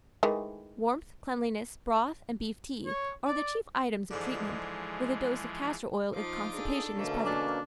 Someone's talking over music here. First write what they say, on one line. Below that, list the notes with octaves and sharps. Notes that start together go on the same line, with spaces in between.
Warmth, cleanliness, broth, and beef-tea, are the chief items of treatment, with a dose of castor oil if constipation is present.
D#3 E3 G#3 A3
C#5
D5
G#2 D3 E3 F3 G#3
F3 D#4 F4 D6
D4 G#4 A4
B2 D3 A3 A#3 C#4
D4